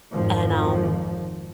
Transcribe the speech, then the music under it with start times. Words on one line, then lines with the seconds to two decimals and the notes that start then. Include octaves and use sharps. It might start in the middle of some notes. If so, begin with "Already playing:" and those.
And, um,
0.13 G#1 F2 D#3 F3